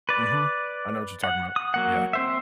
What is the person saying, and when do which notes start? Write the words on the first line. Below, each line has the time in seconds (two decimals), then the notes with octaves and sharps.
Mhm. I know what you're talking about. Yeah.
0.09 B4 D5
1.24 F#5
1.56 D#6
1.74 F#3 A#3 F#5
2.13 C4 C5 E5